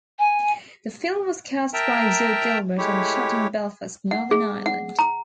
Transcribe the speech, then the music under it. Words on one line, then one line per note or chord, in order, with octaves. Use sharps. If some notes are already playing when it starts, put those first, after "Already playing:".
The film was cast by Jo Gilbert and shot in Belfast, Northern Ireland.
G#5
A#4 E5 G5 A5 A#5
G#3 A3 E4 G4 C#5
F#5
G#4
F#5
A#5